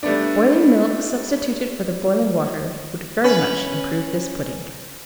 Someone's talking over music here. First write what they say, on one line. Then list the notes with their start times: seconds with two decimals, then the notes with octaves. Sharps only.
Boiling milk substituted for the boiling water would very much improve this pudding.
0.03 G3 A3 B3 D4
3.24 C#4 B4